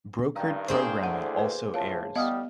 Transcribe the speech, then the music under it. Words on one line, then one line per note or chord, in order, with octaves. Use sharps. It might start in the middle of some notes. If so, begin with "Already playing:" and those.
Brokered programming also airs.
G2 D#3 F5 A#5
A#3 D4 G#4 C5 C#6 D#6
D2 A2 F#5
B4
A2 F3 C#5 F5 A5
A1 G3 B3 D#5 F5 F#5 D#6 F6